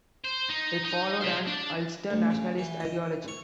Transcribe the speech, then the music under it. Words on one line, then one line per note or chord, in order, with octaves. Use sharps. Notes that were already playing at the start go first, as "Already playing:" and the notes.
It followed an Ulster nationalist ideology.
C5
D#4
D#4
C5 E5
D4
D2
C#3
E3
D#5
C#5